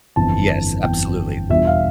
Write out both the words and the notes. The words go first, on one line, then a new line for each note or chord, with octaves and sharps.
Yes, absolutely.
G1 F2 E3 B3 A5
G1 F2 E3 B3 G5
E2 B2 G3 D4 F4 E5
F5